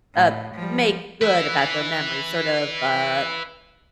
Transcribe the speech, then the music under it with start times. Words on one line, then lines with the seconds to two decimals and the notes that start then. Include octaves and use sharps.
uh, make good about their memory, sort of, uh,
0.14 A2
0.54 F3 G3
1.21 B4 E5